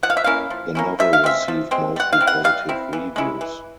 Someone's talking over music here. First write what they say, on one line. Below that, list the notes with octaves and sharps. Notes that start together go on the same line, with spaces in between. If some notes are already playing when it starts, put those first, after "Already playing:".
The novel received mostly positive reviews.
F3 F#5
F5
E5
A#3 C#4 E4 F5
F3
A#3 C#4 E4
F3 E5
F5
G#3 C4 E5
F3
G#3 C4
G3 F#5
F5
C4 E4
F#5
G3 F5
C4 E4
E3
G#3 C#4 E4
E3